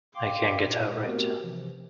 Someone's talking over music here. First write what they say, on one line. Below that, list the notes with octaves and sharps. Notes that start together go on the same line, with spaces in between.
I can’t get over it.
F5 G5 C6 D6
A#2 F4
A3 B3 C4 F#4 G4 A#4
C3 E3 F3